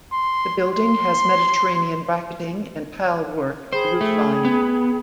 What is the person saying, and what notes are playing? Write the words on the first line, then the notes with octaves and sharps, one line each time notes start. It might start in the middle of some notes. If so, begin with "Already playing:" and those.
The building has Mediterranean bracketing and tile work at the roofline.
C6
C6
G#4 C5 G5 B5
A3
B3